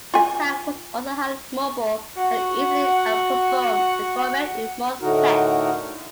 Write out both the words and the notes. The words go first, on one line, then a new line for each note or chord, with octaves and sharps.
The tank was also highly mobile, and easily outperformed the Comet in most tests.
F4 G#5
F#4 F#5
A2 D3 D#4 F#4 A#4